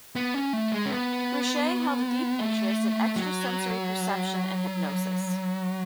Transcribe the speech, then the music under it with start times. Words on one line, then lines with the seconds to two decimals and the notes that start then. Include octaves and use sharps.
Richet held a deep interest in extrasensory perception and hypnosis.
0.16 B3
0.34 C#4
0.53 A3
0.72 G#3
0.86 C#4
0.91 B3
2.41 A3
3.16 F#3